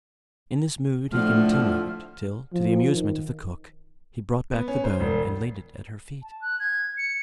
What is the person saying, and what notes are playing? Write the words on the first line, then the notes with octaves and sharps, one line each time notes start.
In this mood he continued, till, to the amusement of the cook, he brought back the bone and laid it at her feet.
A2 D3 F3 A3 F6
F3
D#3
B3
C#4
C5
E1
A5
F#6
G#6
C#7